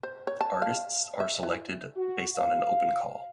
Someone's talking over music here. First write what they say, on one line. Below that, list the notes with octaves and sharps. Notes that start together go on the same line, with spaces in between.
Artists are selected based on an open call.
C5
C#5
A5
F5
E5
E3
F#4
F5